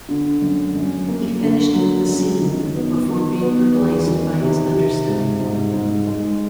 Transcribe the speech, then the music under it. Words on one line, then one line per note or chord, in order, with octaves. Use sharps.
He finished the scene before being replaced by his understudy.
D3
F#2
F#2
A#3
D3
F#3
F#2
D#3
B3
D#3
B3
E2
D#3
C3
C3
G#2
G#2
G#2
G#3